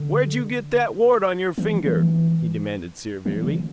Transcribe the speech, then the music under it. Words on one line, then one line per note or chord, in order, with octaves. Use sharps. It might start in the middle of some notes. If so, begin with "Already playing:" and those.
"Where'd you get that wart on your finger?" he demanded severely.
Already playing: D3
E3
E3
E3
C#3